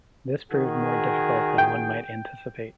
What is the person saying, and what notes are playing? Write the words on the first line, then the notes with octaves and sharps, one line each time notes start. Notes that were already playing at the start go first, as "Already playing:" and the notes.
This proved more difficult than one might anticipate.
D#3 F#4 G#4
G5